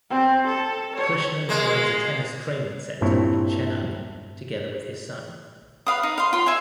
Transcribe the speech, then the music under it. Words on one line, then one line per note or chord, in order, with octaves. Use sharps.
Krishnan runs a tennis training center in Chennai together with his son.
C4
A4
C#5
G#3 A#3
G2 A#2 C4 E4 A4 C#5
B4 F5 D#6
D#4
F5 C6
F4 C6
E5 F5 G#5